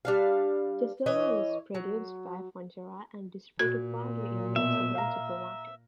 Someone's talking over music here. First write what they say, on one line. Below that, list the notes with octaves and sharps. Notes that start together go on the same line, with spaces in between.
Chesdale is produced by Fonterra and distributed widely in New Zealand supermarkets.
G3 D4 F5
E3 C#5 D#5
F#3
A#2 F#4 G#6
B2 E5
F5 A#5